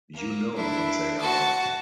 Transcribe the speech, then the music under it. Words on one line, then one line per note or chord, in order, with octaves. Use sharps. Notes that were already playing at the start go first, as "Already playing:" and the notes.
You know what they are.
A#3
D4 E4
F#4 A5